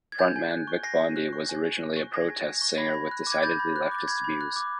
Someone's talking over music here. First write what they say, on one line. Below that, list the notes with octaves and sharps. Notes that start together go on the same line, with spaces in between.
Frontman Vic Bondi was originally a protest singer with decidedly leftist views.
G#6
G#5 G6 A6
G#5
F#6
C#6
G#5 A#6 C7
G#5
F#6
C#6
G#5
G#5
F#6
C#6
G#5 G#6 A#6
G#5
F#6
C#6
B5 G#6 A#6
B5
F#6
D6
G#6
B5 G6 A6
B5
F#6
D6
A6
B5 G#6
B5
F#6
D6